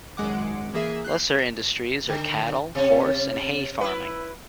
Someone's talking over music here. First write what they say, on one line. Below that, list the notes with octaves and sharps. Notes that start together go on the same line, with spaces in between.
Lesser industries are cattle, horse, and hay-farming.
G#1 F#2 G#3 F#5 D6
E3 A#3 G#4 E5
F#6 G6 C7
D3
C3 C#4
E4 B4